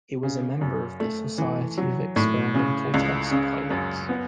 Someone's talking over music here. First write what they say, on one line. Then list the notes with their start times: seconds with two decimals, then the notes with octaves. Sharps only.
He was a member of the Society of Experimental Test Pilots.
0.23 C#3
0.61 F#2
1.00 A3
1.38 E3
1.78 F#3
2.16 A2
2.54 C#3
2.94 C#2
3.31 C#3
3.70 F#2
4.09 B3